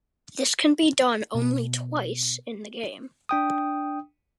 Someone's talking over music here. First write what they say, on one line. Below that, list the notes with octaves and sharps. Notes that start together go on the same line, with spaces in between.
This can be done only twice in the game.
B2
D4 G5 D#6